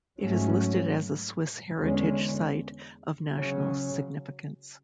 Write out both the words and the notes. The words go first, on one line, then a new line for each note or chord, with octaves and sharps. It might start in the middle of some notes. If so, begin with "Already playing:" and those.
It is listed as a Swiss heritage site of national significance.
G#2 F#3 A3 C#4
E2 D3 G#3 C#4
C#3 F#3 C#4